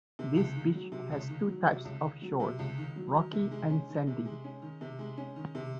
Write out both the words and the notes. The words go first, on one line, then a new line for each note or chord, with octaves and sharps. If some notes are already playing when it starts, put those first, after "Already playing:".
This beach has two types of shores, rocky and sandy.
C3
C#2
D#3
F#3
C3
C#2
D#3
F#3
C3
C#2
D#3
F#3
C3
C#2
D#3
F#3
D#3
C3
G#3
C#4
D#3
C3
G#3
C#4
D#3
C3
G#3
C#4
D#3
C3